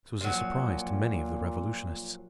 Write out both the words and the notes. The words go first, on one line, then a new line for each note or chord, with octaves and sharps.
This was a surprise to many of the revolutionists.
A#2 F3 F#3